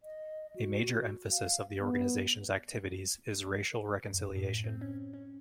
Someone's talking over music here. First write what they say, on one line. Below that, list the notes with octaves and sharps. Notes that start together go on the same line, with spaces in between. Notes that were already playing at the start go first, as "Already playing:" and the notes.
A major emphasis of the organization's activities is racial reconciliation.
D#5
F#4
F5
B3
F#2
A2
C4
C#4
C#4